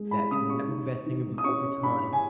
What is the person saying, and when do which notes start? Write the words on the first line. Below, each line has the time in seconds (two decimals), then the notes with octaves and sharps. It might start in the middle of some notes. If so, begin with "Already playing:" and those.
that they may not be the best singer, but over time,
Already playing: G#3
0.11 B5
0.31 C#3 D#6
0.50 C#6
0.68 D#4
1.06 D#3
1.38 D#6
1.44 C#4 C#6
1.83 G2 B5
2.13 G#5